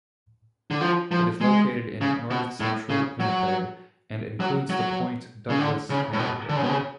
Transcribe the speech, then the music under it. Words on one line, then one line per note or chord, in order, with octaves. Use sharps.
It is located in north-central Winnipeg, and includes the Point Douglas neighbourhood.
D3
F3
F3
G#3
C#3
B2
A2
C#3
F#3
F#3
F#3
C#3
D3
C#3
A2
B2
D3
C#3
B2
C#3